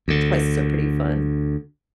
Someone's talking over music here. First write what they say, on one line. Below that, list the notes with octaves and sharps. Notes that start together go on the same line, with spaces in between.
places are pretty fun.
D2 D3